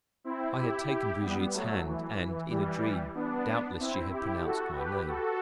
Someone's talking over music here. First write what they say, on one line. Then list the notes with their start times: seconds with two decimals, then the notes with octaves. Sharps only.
I had taken Brigitte's hand, and, in a dream, doubtless, she had pronounced my name.
0.24 C4 E4
0.57 E4 G4
0.89 E4 G4
1.21 G3 B3
1.53 F#3 A3
1.85 E3
2.18 E3
2.50 E3 G3
3.14 B3 D4
3.79 C4 E4
4.11 E4 G4
4.43 F#4 A4
4.75 G4 B4
5.08 F#4 A4